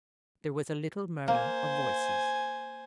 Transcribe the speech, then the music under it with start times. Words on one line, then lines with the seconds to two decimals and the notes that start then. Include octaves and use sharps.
There was a little murmur of voices.
1.28 A#3 C5 G#5